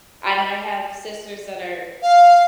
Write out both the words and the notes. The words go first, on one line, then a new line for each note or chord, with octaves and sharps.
and I have sisters that are
F5